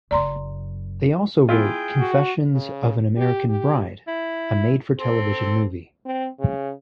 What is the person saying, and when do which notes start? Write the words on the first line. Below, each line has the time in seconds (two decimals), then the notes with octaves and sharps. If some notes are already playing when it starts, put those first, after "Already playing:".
They also wrote "Confessions of an American Bride", a made for television movie.
0.11 F#1 F#2 D5 A#5 C6
1.49 E4 F4 G#4 G5
1.97 F#4
2.52 C#3
3.17 G4
3.49 G4
4.08 E4
4.99 C4 A4
6.05 C4
6.39 C#3